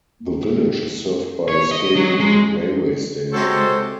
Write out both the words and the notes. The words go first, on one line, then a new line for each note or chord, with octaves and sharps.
The village is served by Skewen railway station.
C#5
D#5
F#3
G#3
C3 G#3 F#4 A4 C5 C#5